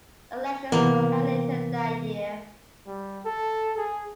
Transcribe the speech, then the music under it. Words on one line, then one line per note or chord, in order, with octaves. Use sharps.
Elections were held later that year.
C3 E3 A#3 B3
G3
A4
G#4